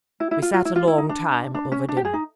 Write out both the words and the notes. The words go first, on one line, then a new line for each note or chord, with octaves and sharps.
We sat a long time over dinner.
E4
E4
F4
F4
E4
F4
E4
D#4
D4
D4
C#4
D4
G4
G#4
D#4